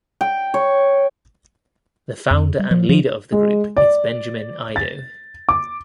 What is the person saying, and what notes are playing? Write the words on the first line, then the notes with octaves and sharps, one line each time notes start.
The founder and leader of the group is Benjamin Aidoo.
G5
C#5
F2
G3
F3
F3
G#3
D5
A6
D6